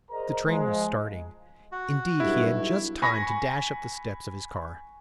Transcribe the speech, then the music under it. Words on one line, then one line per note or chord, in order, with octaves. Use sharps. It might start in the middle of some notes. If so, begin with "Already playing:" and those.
The train was starting; indeed he had just time to dash up the steps of his car.
G#4 A#4 C5 D5 D#5 A#5
F3 G#3
F#4
B1 G2 E4
G#5 B5 C#6 A#6